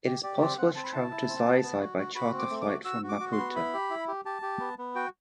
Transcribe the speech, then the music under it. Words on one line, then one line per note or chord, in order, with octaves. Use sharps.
It is possible to travel to Xai-Xai by charter flight from Maputo.
G4
G4 D5
C4 D5
C4 F#5
C4 A5
B5
E4 A5
E4
C4
B3
B3
F#4
F#4
F#4 B5
C4
D6
A3
D6
F#4
F#4 E6
F#4
D6
F#4
C6
B3
E4 B5
G4
E4
G4
G4 A5
G4
B3
B3
F#4 G5